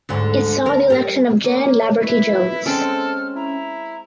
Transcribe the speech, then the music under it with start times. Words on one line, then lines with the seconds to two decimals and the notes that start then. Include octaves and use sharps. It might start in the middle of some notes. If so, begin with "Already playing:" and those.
It saw the election of Jan Laverty Jones.
0.09 D2 G#2 D3
0.66 D2 A#4
0.90 G3 A#4
1.44 A#3 C#5
2.03 E4 B4 B6
2.66 G#3 C4 C#4 A4 F6
3.36 E4 A#5